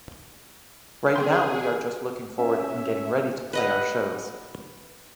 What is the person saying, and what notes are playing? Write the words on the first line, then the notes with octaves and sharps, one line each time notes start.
Right now we are just looking forward and getting ready to play our shows.
C#4 G#4 G5 C6
C#4 E5
B4 D#5 F#5